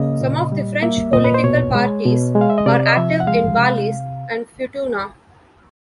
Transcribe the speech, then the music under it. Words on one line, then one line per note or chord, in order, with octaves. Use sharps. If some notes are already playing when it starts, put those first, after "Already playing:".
Some of the French political parties are active in Wallis and Futuna.
Already playing: C#3 A#3 D#5
A#2
G3
A#3 E5
A#2 D#5
B4
C5
B2 C#5
G#3
B2
G#3
F5
E5
D#5
C3 D5
D#5
F3 E5
F#5
G#3 F5
C3